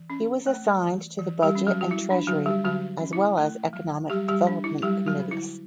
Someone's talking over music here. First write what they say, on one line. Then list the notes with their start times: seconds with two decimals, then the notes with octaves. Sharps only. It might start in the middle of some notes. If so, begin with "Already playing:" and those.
He was assigned to the budget and treasury as well as economic development committees.
Already playing: E3
0.10 C#4
0.47 A3
0.83 E3
1.19 E3
1.42 G3 G4
1.55 C#4
1.67 F#3 F#4
1.81 F#4
1.91 G3 E4
2.10 D4
2.27 D3 F#3 F#4
2.46 G3 G4
2.64 D3 F#3 F#4
3.00 C#4
3.13 E4
3.38 A3
3.73 F#3
4.10 F#3 G3 G4
4.29 G3 G4
4.47 D4
4.64 E4
4.82 F#3 G3 G4
5.06 F#3 F#4
5.20 D3
5.31 E4